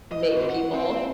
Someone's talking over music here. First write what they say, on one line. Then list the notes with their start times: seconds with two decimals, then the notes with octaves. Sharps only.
make people
0.12 D#5
0.32 C4 F#4
0.49 F#5
0.73 C4